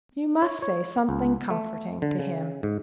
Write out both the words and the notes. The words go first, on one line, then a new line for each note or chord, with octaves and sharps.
You must say something comforting to him.
C#5
C#5
C#2
A3
D3
C#3
G#2